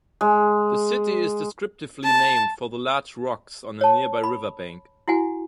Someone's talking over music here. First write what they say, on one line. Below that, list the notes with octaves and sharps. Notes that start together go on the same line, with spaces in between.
The city is descriptively named for the large rocks on a nearby river bank.
G#3
A5
C#5 A5
B5
E4 F#4 F#5 G#5